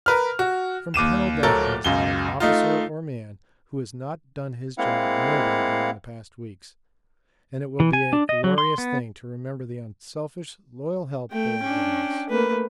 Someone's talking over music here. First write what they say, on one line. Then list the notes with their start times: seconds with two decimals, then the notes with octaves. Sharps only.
From Pennell down there is not an officer or man who has not done his job nobly during the past weeks, and it will be a glorious thing to remember the unselfish loyal help they are giving us.
0.06 A#4 B4 F6
0.39 F#4
0.94 D#2 D6 D#7 E7
1.43 D1 A4 A#4 C#5 A6
1.84 C#2 F#2 G7
2.40 A3 D#4 F4
4.78 G#3 A#3 C4 E4 F5 F#5
7.80 E3
7.93 G#5
8.13 D4
8.29 D#5
8.44 F#3
8.58 C6
8.78 B3
11.32 A3 G5
11.63 C#4 D4
12.29 A3 A#3 B4